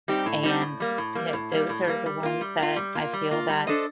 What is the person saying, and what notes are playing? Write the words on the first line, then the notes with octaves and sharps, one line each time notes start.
And, you know, those are the ones that I feel that,
G3 C4 D#4 G4
A2
G3 C4 D#4 G4
A2
G3 A#3
A2
G3 A#3
A2
G3 A#3
A2
G3 A#3
G3
A#3 F4
G3
A#3 F4
G3
A#3 F4
G3
A#3 F4
G3
D4 A4 C5 D#5